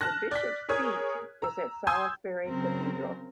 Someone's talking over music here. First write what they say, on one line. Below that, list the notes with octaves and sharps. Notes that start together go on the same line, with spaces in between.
The bishop's seat is at Salisbury Cathedral.
A5 F6 F#6 A#6
D5 F#6 B6
G#4 A#4 C#5 D#6 G#6
A#5 E6
G#5 C6 D#6 E6 G6 G#6
C#3 F#3 C4 A#4